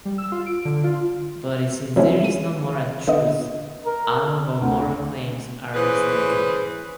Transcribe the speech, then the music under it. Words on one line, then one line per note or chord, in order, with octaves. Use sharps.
But since there is no moral truth, all of our moral claims are mistaken.
G3
E6
F4
D7
D3
F4
F3 F#3 A3 C4 C#4 E4
D#7
D3 B3 D#5
A#4
D2
E3 C#4 G#4 B4 C5